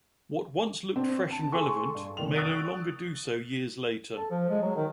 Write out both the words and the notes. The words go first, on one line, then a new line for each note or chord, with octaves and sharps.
What once looked fresh and relevant may no longer do so years later.
C4 D4
A5
G#4 A4 G#5 C6 C#6
G2
F1 D#3 F7
C#6 D#6 E6 F#6 A6 D7
A4
F3
G#3
F#3
D#3